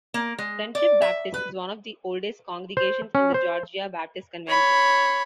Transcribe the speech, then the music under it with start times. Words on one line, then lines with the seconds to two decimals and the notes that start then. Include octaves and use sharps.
Friendship Baptist is one of the oldest congregations in the Georgia Baptist Convention.
0.14 A#3
0.38 G#3
0.75 D5
1.02 E5
1.34 B4
2.77 C5
3.15 C#4
3.34 C5
4.49 C#5 B5